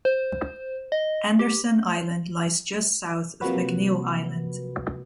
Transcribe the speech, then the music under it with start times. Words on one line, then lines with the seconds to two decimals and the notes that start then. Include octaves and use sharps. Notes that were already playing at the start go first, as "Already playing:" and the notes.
Anderson Island lies just south of McNeil Island.
0.05 C5
0.92 D#5
1.39 G4
3.41 C3 F3 F#3 A#3 F#4 B4